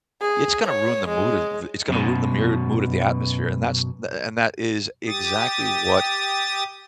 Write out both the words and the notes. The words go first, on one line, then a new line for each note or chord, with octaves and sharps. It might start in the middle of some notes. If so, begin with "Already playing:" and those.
it's gonna ruin the mood of the it's gonna ruin the mere mood of the atmosphere, and that's th th and that is exactly what
G#4
C#5
G#3
F#2 B2
G4 D#6 A6